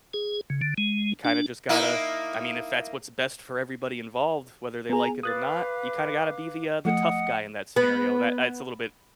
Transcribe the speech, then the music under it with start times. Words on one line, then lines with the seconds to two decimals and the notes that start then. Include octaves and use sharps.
you kinda just gotta I mean, if that's what's best for everybody involved, whether they like it or not, you kinda gotta be the, uh, the tough guy in that scenario, and tha it's a little bit
0.14 G#4
0.50 C#3
0.62 D3
0.78 G#3
1.25 D4
1.69 A#3 D#4 E4
4.90 B3 G#4 G#5 A#5
5.23 B4 F5 D6 D#6 F#6 A6
6.85 F3 A3 D#5 F#5 D#6
7.76 B3